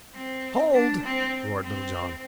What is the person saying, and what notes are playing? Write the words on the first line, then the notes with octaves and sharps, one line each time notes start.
"Hold!" roared Little John.
C4
D4
C4
C4